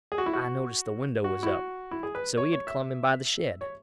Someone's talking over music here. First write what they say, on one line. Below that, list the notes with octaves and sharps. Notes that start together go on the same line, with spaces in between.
I noticed the window was up; so he had clumb in by the shed.
G#4
F#4
E4
F#4
F#4
E4
F#4
E4
G#4
B4
C#5
C#5
E5
C#5